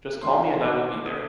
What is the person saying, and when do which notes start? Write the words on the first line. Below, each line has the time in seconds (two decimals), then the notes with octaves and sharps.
Just call me and I will be there.
0.22 D2 C3 D#3 C6
0.64 D6
1.06 D3 D#6